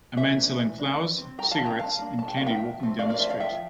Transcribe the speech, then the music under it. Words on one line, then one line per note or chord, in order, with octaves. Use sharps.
A man selling flowers, cigarettes, and candy walking down the street.
E3 C5 E5
A#3 D4
E3
A#3 D4
G3
C4
G3 G5 A#5
F5 A5
C4
G5 A#5
G3 F5 A5
A#3 D4
G3 A5
G5
A#3 D4 F5
E5 G5
F3
A3 C4
F3 D5 F5
A#4 D5
A3 C4 C5 E5
D5 F5
F3 E5 G5